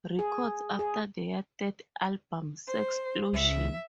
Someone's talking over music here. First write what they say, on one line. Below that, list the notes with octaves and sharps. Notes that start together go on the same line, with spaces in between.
Records after their third album, Sexplosion!
G#4
G#4
C5
C#2 E5